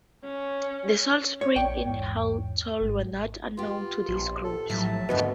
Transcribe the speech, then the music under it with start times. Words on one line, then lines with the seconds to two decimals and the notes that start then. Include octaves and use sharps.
The salt springs in Halltal were not unknown to these groups.
0.24 C#4
1.41 C#5
1.56 A#1 D5 G5 C#6
1.85 E2 G#2
2.81 G#1 G#2
3.57 B3 F4 G4
4.09 A#1
4.44 A4
4.70 A2 F3 F#3 E5 A5
5.09 D#2 G#2 B2 D3 B3